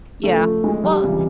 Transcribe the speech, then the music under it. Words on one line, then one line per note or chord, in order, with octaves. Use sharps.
Yeah. Well
C#2 C#3 F3 A3
G#3
G3
C#2 C3 E3